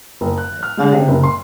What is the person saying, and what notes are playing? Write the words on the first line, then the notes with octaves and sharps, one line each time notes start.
But I'm
F#1
F#6
F6
G#3
C3
F#1
C6